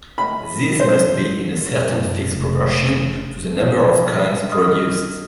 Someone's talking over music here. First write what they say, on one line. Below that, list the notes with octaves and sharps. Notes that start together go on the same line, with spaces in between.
These must be in a certain fixed proportion to the number of coins produced.
B5
C5
F#2
F1
F3
D#5 D#6 F6